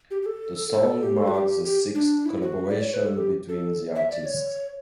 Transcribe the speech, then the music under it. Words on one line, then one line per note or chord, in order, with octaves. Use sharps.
The song marks the sixth collaboration between the artists.
G4
G4
A4
A4
G4
A4
F#4
G4
G4
D4
E4
F#4
D5
C#5
B4
A4
G4
A4
E5
D5
C#5